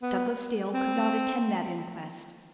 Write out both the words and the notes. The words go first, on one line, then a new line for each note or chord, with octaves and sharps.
Douglas Dale could not attend that inquest.
B3
C4